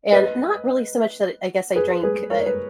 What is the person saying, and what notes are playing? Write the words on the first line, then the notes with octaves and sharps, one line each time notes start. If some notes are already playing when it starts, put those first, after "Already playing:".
and not really so much that I guess I drank, uh,
B4 D#5
G#4 B4
G#4 B4
A#4 C#5
B4